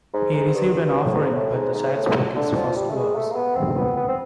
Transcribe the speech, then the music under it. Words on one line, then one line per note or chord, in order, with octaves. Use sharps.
He received an offering when the child spoke its first words.
G#2
G#2
G2
G2
A2
G#2
A2
G#2
G#2
A2
D3
F3
G3
A3
G#3
A3
A#3
B3
C4
B3
B3
C4